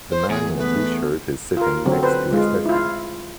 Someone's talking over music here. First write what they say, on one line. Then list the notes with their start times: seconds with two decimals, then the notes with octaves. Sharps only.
The man in a blue shirt is sitting next to a statue.
0.11 C5
0.30 E2 G#4
0.57 A3 B3 B4
1.57 F4 A#4
1.85 D3 F#3 C4
2.03 B4 C5
2.33 G#3 F4
2.66 E4 F4